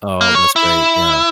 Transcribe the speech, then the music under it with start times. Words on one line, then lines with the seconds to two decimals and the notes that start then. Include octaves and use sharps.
Oh, that's great, yeah.
0.21 A#3
0.35 C#5
0.56 E4